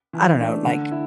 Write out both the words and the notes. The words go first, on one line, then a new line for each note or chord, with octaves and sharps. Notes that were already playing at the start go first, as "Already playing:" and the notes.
I don't know, like,
E3
A3 D4
D3
E4